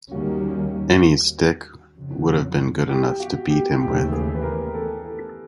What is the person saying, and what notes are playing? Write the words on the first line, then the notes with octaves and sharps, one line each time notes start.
Any stick would have been good enough to beat him with.
D#2 D#3 G3 A#3 C#4 F#4
F2 C#3 F#3
G4
F#4
G4
D#2 C#3 E3 A3 G4
G#4
B4
A#4
A4
A4